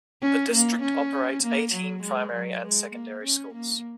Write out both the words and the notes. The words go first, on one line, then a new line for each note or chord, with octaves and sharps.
The district operates eighteen primary and secondary schools.
C#4
A#3
C#4
A#3
F#3
G#3
F#3
G#3
A#3
C#4
A#3